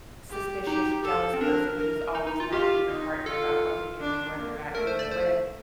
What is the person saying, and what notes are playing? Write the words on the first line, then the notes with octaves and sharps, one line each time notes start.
suspicious, jealous person who's always nagging your partner about what they're doing, where they're at, who they're with,
G4
D#4 G4
A4
C4
D4 A#4
A#4
D#4
D#4
F4
F4 G4
D#4
F4 A4
D4
A#3
A3 A#4
C5
D5
C5